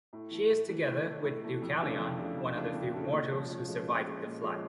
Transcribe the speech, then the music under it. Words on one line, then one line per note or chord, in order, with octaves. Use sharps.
She is together with Deucalion, one of the few mortals who survived the flood.
A2
E3 A3
A2
E3 A3
A2
E3 A3
A2
E3 A3
F2
C#3 E3 A3 D4
F2
C#3 E3 A3 D4
F2
C#3 E3 A3 D4
F2
C#3 E3 A3 D4
A#2
F3 G#3 C#4
A#2
F3 G#3 C#4
A#2
F3 G#3 C#4
A#2
F3 G#3 C#4